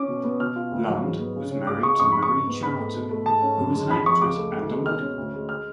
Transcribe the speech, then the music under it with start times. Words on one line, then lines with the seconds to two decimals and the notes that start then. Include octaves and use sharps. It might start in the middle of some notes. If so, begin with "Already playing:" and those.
Lund was married to Marie Charton, who was an actress and a model.
Already playing: C#4 D6
0.08 B2
0.24 B3
0.40 B2 F6
0.56 F4
0.71 D2
0.88 F#3
1.03 G#2
1.19 B3
1.36 C#3
1.51 C#4
1.67 C#2 D6
1.83 G#3 C#6
2.00 F2 C#6
2.12 G#3 B5
2.23 C#6
2.32 G#2
2.47 B3
2.63 G#2 B5
2.79 A3
2.94 B2
3.11 A3
3.26 G#2 A5
3.42 C#4
3.58 F#2
3.74 G#3
3.90 F2 B5
4.06 F3 C#6
4.21 C#2 D6
4.37 A3
4.54 D2
4.70 G#3
4.86 B2 F6
5.01 C#4
5.17 D2
5.34 G#3
5.49 F6